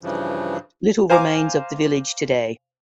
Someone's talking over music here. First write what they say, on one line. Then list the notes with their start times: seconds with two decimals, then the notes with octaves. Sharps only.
Little remains of the village today.
0.03 G2 C#3 E3 F3
1.10 C5 F5 G#5 A#5 D6